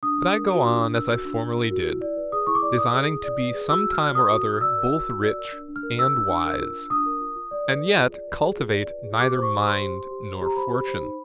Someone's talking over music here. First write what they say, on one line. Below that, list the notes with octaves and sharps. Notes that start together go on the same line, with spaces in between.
But I go on as I formerly did, designing to be some time or other both rich and wise; and yet cultivate neither mind nor fortune.
D4 D#6
D4
A#4
F#4
D4
D4
A#4 E6
F#4
D4
D4
A#4
F#4
E4
D5
B4
G#4 D#6
E4 C#6
D6
D5
B4 D#6
G#4
E4
D5
B4
G#4
F#4 E6
F#4
F6
D5
A#4 D#6
F#4
D#6
F#4
D5 E6
A#4
F#4
F#4
D5
A#4
D4
D4
F6
A#4
F4 E6
D4
D4
A#4
F4
D4
D4 D#6
A#4
F4
F4
D5
B4
G#4
F4
D5
B4
G#4
F4
D5
B4
G#4
G4 D6
C5
C#6
G4
C5 C6
G4
C5
G4
C5
G4 A#5
C5 B5
G4
C5
D#4